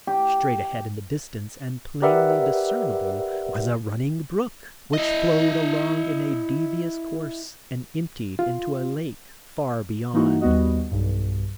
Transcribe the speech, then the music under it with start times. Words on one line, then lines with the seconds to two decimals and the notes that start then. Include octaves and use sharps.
Straight ahead in the distance and plainly discernible was a running brook which flowed along in a devious course and emptied into a lake far beyond.
0.07 G4
2.02 G4 A#4 B4 D5 E5 F#5
4.94 E4 D#5
8.39 F4
10.13 E3 A#3 D#4 E4 F#4
10.41 D#2 G3 B3 F#4 D#5
10.91 B1 G2